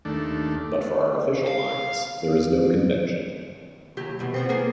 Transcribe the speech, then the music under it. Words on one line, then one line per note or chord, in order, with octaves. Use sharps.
But for artificial minds, there is no convention.
D#2 A3 D4
F5
D#2 F#3 G4
G2 B2 E3
F3 B3 C4
A#3 B3 G#4